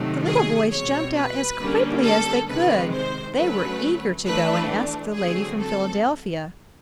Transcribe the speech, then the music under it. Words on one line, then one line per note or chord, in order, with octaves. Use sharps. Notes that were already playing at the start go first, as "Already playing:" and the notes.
The little boys jumped out as quickly as they could; they were eager to go and ask the lady from Philadelphia.
Already playing: C3 D#3 F#3 A3
G#4
B2 G3 C4 C#5
B4
D3 G3 A#3 C#4
A4
C3 D#3 G#3 C4 B4
C5
D3 F#3 A3 C#4 B4
E3 A3 D4 B4
D3 F#3 A3 C4 G#4
A4